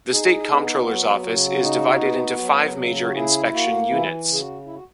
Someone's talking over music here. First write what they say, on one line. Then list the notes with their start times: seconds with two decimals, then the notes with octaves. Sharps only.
The state comptroller's office is divided into five major inspection units.
0.12 D#4 G#4
0.50 B3
0.87 F#3 F#4
1.26 C#3
1.63 D#4
2.01 B3
2.39 F#3
2.77 C#3
3.04 F#4
3.14 E4 G#4
3.52 A#3 F#4
3.90 E3 E4
4.28 C#3
4.34 G#4
4.40 F#4
4.66 E4
4.75 F#4